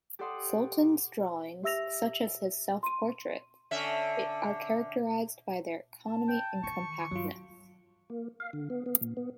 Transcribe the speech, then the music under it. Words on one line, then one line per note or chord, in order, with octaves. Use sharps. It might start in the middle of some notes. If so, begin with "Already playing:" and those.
Sultan's drawings, such as his self-portrait, are characterized by their economy and compactness.
G4 A4 D5 F#5 C6 D#6
G4 E5 E6 A#6 F7
C6 D#7
D3 C#4 E5
A5
G5
D#3 E3 C#6
G2 F#3 F4
A#3
F5
D3
B3
B3
A#2
B3